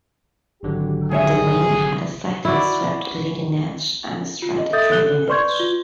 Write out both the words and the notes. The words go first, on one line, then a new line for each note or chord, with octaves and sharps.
The wing had a slightly swept leading edge and a straight trailing edge.
G#1 D3 F#3 G4
C2 G#4 C#5 E5
E4 F#4 D5
F4
D#5
A4 E5 D#6 G6 A6
A4 F#6 G7
B4 D5 C6 C#6 G6 G#6
F4